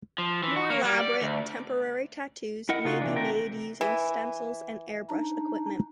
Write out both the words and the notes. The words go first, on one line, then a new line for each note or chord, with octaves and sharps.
More elaborate temporary tattoos may be made using stencils and airbrush equipment.
F3
E3
F#4
A#3
G3
D5
D2
E4 A#4 D#5 F#5
C#3 D#4 F4 F#4
C3 E3 D4
A3 C4 A#4
E3
D4 D#4